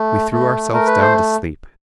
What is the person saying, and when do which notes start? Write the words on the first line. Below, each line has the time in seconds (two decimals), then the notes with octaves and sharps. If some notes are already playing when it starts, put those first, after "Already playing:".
We threw ourselves down to sleep.
Already playing: A3
0.31 A3
0.71 A3 A#4
0.87 B4
1.01 C5